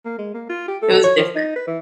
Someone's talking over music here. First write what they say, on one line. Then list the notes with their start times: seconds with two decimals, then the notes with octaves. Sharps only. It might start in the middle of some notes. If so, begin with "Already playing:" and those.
it was different.
0.05 A#3
0.18 G#3
0.34 A#3
0.50 F4
0.68 G4
0.82 A4
1.04 C#5
1.17 F3
1.35 D#4
1.56 B4
1.67 E3